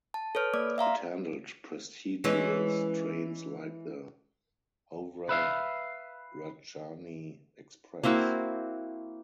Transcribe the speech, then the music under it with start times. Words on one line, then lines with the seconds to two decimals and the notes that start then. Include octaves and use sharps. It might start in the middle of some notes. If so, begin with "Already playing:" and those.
It handled prestigious trains like the Howrah Rajdhani Express.
0.14 A5
0.35 A4 B4 C#5 F6
0.54 A#3 D5 D6
0.78 E5 F5 A#5 C6
2.24 E3 G#3 C#4
5.29 B4 E5 F5
8.04 A#3 C4 E4 F#4